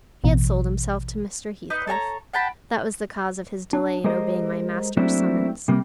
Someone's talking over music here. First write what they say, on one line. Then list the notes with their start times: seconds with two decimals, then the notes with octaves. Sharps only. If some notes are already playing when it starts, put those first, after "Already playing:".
He had sold himself to Mr. Heathcliff: that was the cause of his delay in obeying my master's summons.
0.24 A1 B2 E3
1.70 D#4 B4 D#5
1.87 A4 C#5 G#5 A#5
2.34 F#5 G5 A5 B5
3.73 D4
4.04 G#3 G4 G#4 A#4 C5 D#5
4.97 F#3 A3 A#3 C4 D4 E4
5.68 C3 G3 A#3